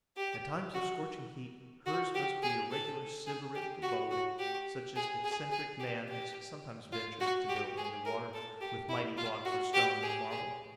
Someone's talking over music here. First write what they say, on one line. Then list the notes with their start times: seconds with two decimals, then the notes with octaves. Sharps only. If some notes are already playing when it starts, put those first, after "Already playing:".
At times of scorching heat, hers must be a regular sybaritic abode, such as eccentric man has sometimes ventured to build under water, with mighty blocks of stone and marble.
0.17 G4
0.74 F#4
1.86 F#4
2.14 G4
2.43 G#4
2.70 A4
3.26 G#4
3.55 G4
3.82 F#4
4.11 F#4
4.39 G4
4.96 G#4
5.24 G#4
5.51 G#4
5.80 G4
6.09 G4
6.92 F4
7.20 F#4
7.49 G4
7.77 G#4
8.05 A#4
8.34 A4
8.61 G4
8.89 E4
9.18 F4
9.45 F#4
9.74 G4
10.02 G#4
10.31 G#4